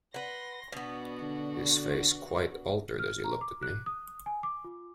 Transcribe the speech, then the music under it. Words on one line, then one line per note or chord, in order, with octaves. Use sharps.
His face quite altered as he looked at me.
B4 F#5 C6 A#6
B2 B3 D4 F#4
D3
F6
A#5
D6
F#6
D#6
G#5
D6
F4